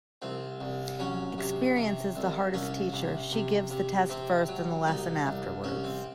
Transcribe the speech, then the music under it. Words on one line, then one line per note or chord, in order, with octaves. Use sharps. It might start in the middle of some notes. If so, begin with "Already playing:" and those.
Experience is the hardest teacher. She gives the test first and the lesson afterwards.
C2 C4
C2
F#3 C#4
C3
C3
C2
C2 C#4
C3
C3
C3
C3 C4
F#3
C2 D#4
C2
C2 C#4
C4